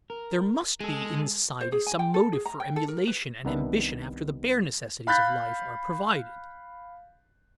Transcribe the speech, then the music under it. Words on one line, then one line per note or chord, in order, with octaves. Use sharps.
There must be in society some motive for emulation and ambition after the bare necessities of life are provided.
A#4
G#3 G#4 A4
C5
G#4
G#5
G5
A4
G#4
A#5
G5
A4
A#4
B4
C2 D#3 B3 D4 B4 E5
F5 B5 F#6 G6 A6 B6